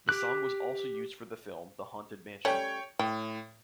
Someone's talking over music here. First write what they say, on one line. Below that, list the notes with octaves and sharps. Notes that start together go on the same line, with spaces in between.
The song was also used for the film, The Haunted Mansion.
G4 D6 F#6
G3 A3 C#4 C#5 G5
A2 G5